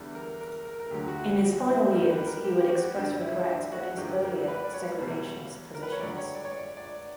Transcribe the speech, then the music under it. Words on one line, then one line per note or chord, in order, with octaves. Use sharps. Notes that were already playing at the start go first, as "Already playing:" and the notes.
In his final years, he would express regret at his earlier segregationist positions.
Already playing: E2 D3 G3
A#4
A#4
A#4
A#4
D2 D3 F#3 G4
F#4
E4
G2 D3 G3 A#4
B4
A#4
G4
G4
F#4
F#2 D3 G3 D4
E4
D4
F#4
F#2 D3 F#3 G4
A#4
B4
D5
C#5
E2 B2 G3
A#4
B4
C#5
G2 D3 F#3 D5
C#5
D5
C#5
D5
D5